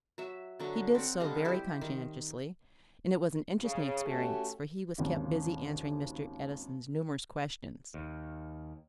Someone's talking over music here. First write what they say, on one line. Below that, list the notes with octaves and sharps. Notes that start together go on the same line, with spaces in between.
He did so very conscientiously, and it was an interesting experience, for he was kept busy answering Mr. Edison's numerous questions.
F#3 E5
D3 F#3 A#5
C4 F#5
D3 G3 D#5 F5
E4 G4 C5
D#3
C#3
A3 C#4 F#4 G4
G#1 D#2 C#3
D#2